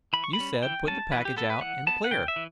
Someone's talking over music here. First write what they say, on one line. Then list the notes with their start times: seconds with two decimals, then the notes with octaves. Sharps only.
You said, put the package out in the clear.
0.13 E3 B5
0.24 C#6
0.33 B5
0.39 G3 C#4
0.63 E3 G5
0.87 G3 C#4 A5
1.12 E3 B4
1.25 G4
1.37 B3 A4
1.50 B4
1.61 E3 F#5
1.87 B3 A5
2.04 F#5
2.11 C#3 G5
2.28 E5
2.36 E3